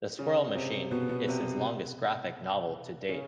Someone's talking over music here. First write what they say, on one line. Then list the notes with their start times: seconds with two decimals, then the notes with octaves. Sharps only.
"The Squirrel Machine" is his longest graphic novel to date.
0.19 C#3 C#4
0.55 C3 C4
0.91 B2 B3
1.09 B2 B3
1.28 C3 C4
3.09 C#3 C#4